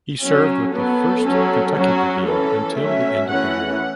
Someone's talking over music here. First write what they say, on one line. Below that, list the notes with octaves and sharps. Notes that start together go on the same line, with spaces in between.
He served with the First Kentucky Brigade until the end of the war.
F#3 C#4
F#3 B3 A4
F#3 C#4
F#3 C#4 F#4
E3 C#4 A4
F#3 A3 C#4 E5
E3 A3 C#4 F#5